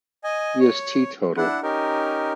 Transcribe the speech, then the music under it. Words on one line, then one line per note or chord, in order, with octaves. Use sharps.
He is teetotal.
D#5 G#5
C#5
D4 E4 F#5
C#4 D#4 G4 A#4